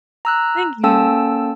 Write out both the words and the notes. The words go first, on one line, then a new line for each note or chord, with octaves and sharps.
Thank you.
A#5 E6 F#6
A#3 C#4 A4 G5 A5 E6